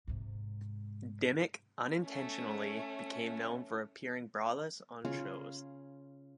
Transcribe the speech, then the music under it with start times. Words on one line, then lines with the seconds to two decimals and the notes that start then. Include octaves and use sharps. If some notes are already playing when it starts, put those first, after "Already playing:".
Dimmock unintentionally became known for appearing braless on shows.
0.07 G#2 C3
2.03 A3 C#4
5.05 C#3 C#4 F4 G#4